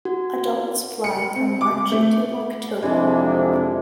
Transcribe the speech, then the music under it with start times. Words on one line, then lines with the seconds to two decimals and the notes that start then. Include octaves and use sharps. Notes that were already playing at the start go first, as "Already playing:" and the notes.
Adults fly from March to October.
0.05 F#4
1.04 C#7
1.35 C4
1.61 D6
1.92 A3
2.82 F2 C3 E3 G#3 D4